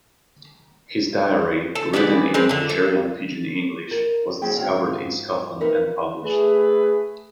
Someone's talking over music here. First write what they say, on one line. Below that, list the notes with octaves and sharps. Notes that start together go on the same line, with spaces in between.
His diary, written in Nigerian Pidgin English, was discovered in Scotland and published.
A4
E3 B3 B4 D5
G#3 C4 A#4 B4
D3 D4
A3
A#4
F3 F#3 C#4 E4 G#4 G5
G#2 F#3 C4 F5
D#4 G4 A#4 B4 E5
A3 G#4 B4